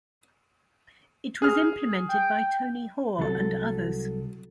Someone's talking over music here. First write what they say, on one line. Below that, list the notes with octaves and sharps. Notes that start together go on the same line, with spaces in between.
It was implemented by Tony Hoare and others.
G#4 F6
G5
C2 F#3 A4